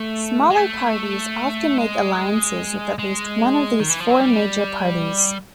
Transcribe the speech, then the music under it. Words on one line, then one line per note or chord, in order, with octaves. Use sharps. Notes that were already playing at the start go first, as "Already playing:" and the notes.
Smaller parties often make alliances with at least one of these four major parties.
Already playing: A3
G#3
A3
G#3
G#3
D#3
E3
F3
F#3
G3